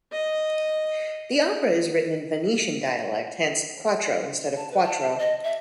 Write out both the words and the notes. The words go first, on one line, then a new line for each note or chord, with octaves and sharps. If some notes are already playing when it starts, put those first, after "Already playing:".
The opera is written in Venetian dialect, hence "quatro" instead of "quattro".
D#5
A5
B4
A5
D#5
E5